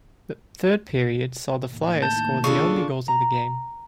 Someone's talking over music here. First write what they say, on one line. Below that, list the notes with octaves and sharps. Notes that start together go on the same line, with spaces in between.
The third period saw the Flyers score the only goals of the game.
A2 D#3 A#3
A5 G6
C#3 C#4 D4 F4 A4 C#6
A#5